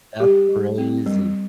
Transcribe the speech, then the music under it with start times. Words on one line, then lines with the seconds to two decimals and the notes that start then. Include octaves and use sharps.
That's crazy.
0.20 G3 G4
0.49 G3
0.78 C4
1.06 G3